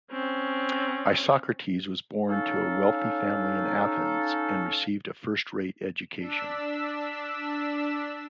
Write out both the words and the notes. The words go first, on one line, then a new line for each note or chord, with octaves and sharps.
Isocrates was born to a wealthy family in Athens and received a first-rate education.
C4 C#4
C#4 D#4 A4 F5
D4 E6 B6 E7